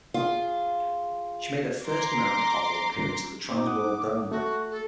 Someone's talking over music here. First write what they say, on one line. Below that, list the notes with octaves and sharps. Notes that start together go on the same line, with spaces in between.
She made her first American hot rod appearance at the Trans World Dome.
F4 G#4
A#5 C6 D6
C4 D#4 D6
F#5 D#6
A3 F#4
A4